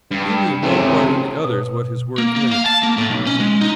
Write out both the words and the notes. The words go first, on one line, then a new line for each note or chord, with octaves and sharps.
He knew no more than the others what his words meant.
G2
G#1 A2 C3 A3 C#4
B2
A#3
A#3
F5
A5
A#3
A2
B1
C#4
G#3
D#4